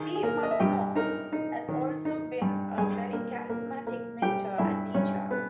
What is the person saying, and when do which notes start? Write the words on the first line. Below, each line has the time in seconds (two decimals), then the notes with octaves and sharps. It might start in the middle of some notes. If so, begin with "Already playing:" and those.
De Martino has also been a very charismatic mentor and teacher.
Already playing: D#3 G#4
0.15 G#4
0.23 A#3 A#4
0.43 D#5
0.51 E5
0.60 G2 G4 G5
0.96 D#4 A#4 A#5
1.33 D#4
1.68 D#3
2.05 D#4
2.42 G2
2.78 G2 G#4 G#5
3.13 A#3
3.50 A#3
3.87 A#3
4.22 G3 G4 G5
4.58 G2 E4 E5
4.94 G2 C#4 C#5
5.31 B3 B4